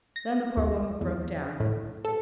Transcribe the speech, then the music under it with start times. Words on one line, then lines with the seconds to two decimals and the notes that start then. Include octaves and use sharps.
Then the poor woman broke down.
0.16 A#6
0.57 D#2
1.01 E2
1.60 A2
2.05 A4